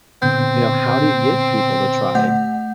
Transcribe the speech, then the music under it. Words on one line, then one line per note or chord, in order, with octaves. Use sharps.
you know, how do you get people to try,
A#2 D3 B3 C4 G6
A3 F#5 G6